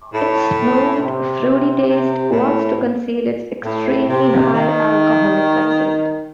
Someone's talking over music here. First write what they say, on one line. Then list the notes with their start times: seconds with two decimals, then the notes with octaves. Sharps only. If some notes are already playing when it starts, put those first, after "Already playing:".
Its smooth, fruity taste works to conceal its extremely high alcoholic content.
0.12 A2
0.99 C3
1.87 C3
2.31 A2
3.64 A2
4.08 C3
4.53 D#3